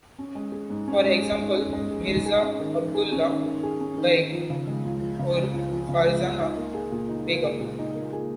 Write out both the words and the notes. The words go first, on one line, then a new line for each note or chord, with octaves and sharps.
For example: Mirza Abdullah Baig or Farzana Begum.
C#4
G#3
G#4
G#2
C#4
G#3
G#4
G#2
C#4
G#3
G#4
G#2
G#4
C#4
D#3
D#3
G#4
C#4
D#3
D#3
G#4
C#4
D#3
D#3
F3
C#3
G#3
C#2
F3
C#3
G#3
C#2
F3
C#3
G#3
C#2
D#4
A#3
G#4
A#2
D#4
A#3
G#4
A#2
D#4
A#3
G#4